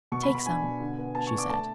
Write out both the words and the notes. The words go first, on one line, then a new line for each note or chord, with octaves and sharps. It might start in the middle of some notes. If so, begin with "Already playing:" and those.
"Take some," she said.
B2 C#6
B5
B2
B5
D4 G#5
B2
D3
B3
B3 A5
C#6
D4
D6
A3 A5